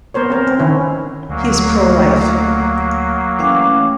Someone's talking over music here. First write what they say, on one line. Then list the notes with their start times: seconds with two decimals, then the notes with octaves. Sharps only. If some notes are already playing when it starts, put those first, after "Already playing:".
He is pro-life.
0.14 B3 A#4 C5 C#5
0.30 C4 A#4
0.47 C4
0.59 D#3 C#4 E4
1.29 D2 F#3 A3 A#3
3.39 E3 A3 C#4 F5 G5 D6